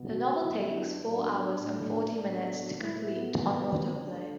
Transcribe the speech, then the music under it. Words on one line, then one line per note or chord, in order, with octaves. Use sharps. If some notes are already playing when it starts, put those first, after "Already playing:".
The novel takes four hours and forty minutes to complete on auto play.
Already playing: B2 B3
F#4
F#2 D3 F#3 B3 E4
D4
A2 F#3 B3 D4
D4
A2 A3 D4
D4
A2 F#3 B3
A2 F#3 A3 E4
B3
F#2 D3 F#3
D2 D3 A3 D4